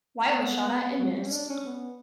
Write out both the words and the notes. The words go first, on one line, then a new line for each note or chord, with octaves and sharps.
Wyatt was shot at and missed.
B3
F#3
G3
C#4
D4
C#4
B3